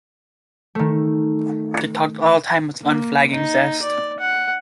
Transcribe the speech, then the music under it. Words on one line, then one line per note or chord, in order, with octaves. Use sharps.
They talked all the time with unflagging zest.
D#3 A3
A#3
D#4
D5
F#5